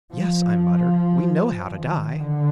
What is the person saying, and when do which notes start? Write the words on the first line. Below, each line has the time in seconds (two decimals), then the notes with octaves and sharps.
"Yes," I muttered, "we know how to die!"
0.13 F3
1.67 D#3
2.19 D3